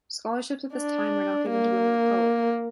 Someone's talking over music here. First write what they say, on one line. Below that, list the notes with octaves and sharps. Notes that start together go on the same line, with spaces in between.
Scholarships at this time were not given to women of color.
D4
A#3